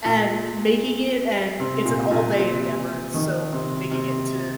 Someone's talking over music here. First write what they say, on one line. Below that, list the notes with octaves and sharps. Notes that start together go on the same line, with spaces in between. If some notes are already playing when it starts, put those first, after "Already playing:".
And making it and it's an all-day endeavor, so making it to
A#2
C3
A#2
A#2
C3
D#3
C3
C3